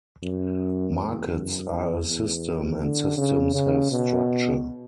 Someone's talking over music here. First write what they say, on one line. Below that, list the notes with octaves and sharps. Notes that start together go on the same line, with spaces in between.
Markets are a system, and systems have structure.
F#2
E2
F#2
E2
E2
D3
C#3
C#3
B2